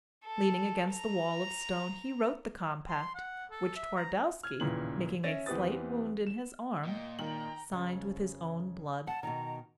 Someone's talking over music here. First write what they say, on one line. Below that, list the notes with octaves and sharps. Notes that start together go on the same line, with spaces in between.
Leaning against the wall of stone he wrote the compact, which Twardowski, making a slight wound in his arm, signed with his own blood.
A4
A#5
C6
F#5
A4
E5
A#5
F6 G#6
A1 D#2 A#2 C#3 E3 F#7
C#4 E5 A6 A#6
E2 C4 G4 B4 D#6 A6
E7
A#2 D#5 G5
D#3 G5 A#5 F#7
F2 C#3
F#5 A5
B2 D#3 A#5